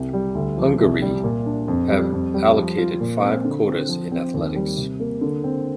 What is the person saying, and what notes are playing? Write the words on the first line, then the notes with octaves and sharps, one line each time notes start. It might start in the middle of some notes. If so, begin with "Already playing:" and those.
Hungary have allocated five quotas in athletics.
Already playing: C2 G4
G3
D2
F3
C2
G3
A#2
D4
F2
G3
F2
G3
F3
F4
A#2
C4
D3
C4
F3
C4
D#2
G3
C3
A#3
D3
C4